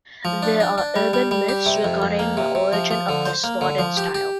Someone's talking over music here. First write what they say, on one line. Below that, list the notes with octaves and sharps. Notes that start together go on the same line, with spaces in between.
There are urban myths regarding the origin of the slotted style.
F3
D4
D4
D4
G3
G3
G3
G4
C3
F2
F2
A#3
C3
C3
F3
F3
D3
C5
A#3
D3
F3
G4
G4